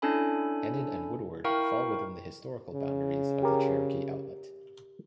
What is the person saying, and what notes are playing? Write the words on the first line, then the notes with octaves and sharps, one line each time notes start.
Enid and Woodward fall within the historical boundaries of the Cherokee Outlet.
C#4 D4 E4 A4 G#5 B5
E4 A#4 F5 G5 B5 C#6
C#3
G4 A#4